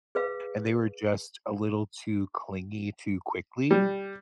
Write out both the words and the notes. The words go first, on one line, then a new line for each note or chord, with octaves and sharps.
and they were just a little too clingy too quickly
G#4 B4 F5
G3